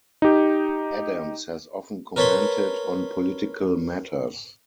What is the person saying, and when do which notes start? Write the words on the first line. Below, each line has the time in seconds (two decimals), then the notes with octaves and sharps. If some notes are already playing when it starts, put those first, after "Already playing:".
Adams has often commented on political matters.
0.22 D#4 G4
2.16 A#4 B4 C#5 A5 B5 C6